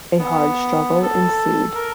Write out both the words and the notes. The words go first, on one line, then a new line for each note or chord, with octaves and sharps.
A hard struggle ensued.
B3
A4
A#4